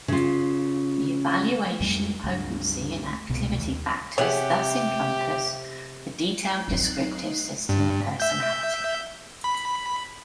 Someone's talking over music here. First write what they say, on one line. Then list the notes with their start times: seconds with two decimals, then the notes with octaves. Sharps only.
The evaluation, potency and activity factors thus encompass a detailed descriptive system of personality.
0.08 C#3 F4
1.81 F2 G3 A3
2.24 C#2 G2
3.30 C2 B2
3.59 D#2
4.18 C3 G4 G#4 C#5 F#5
6.68 F#3 C4 D#4 F#6 C7
7.69 G2
8.20 E5 G6
9.44 B5